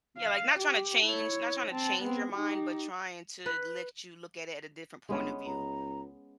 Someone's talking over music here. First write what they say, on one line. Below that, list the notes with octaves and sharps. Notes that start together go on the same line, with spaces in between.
Yeah, like, not trying to change not trying to change your mind, but trying to let you look at it at a different point of view.
F5
G4
E4 C#5
C4 A5
B3 C4
D#4 G4
B4
G1 G#3 B3 C#4
C#2 A#5